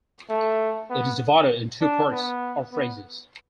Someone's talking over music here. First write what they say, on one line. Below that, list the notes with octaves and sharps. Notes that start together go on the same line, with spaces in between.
It is divided in two parts or phrases.
A3
B3
D4
B3
B3